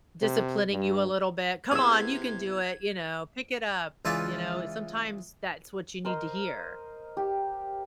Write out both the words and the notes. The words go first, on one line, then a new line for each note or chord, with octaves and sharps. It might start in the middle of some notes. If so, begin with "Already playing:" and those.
Disciplining you a little bit, "Come on, you can do it," you know, "Pick it up," you know, sometimes that's what you need to hear.
C3
G2
C3 B3 E4 G#4 D#6 E6 G#6
C#2 E3 F4 D5 E5 G#5
A#4 C5 D#5 C6
G4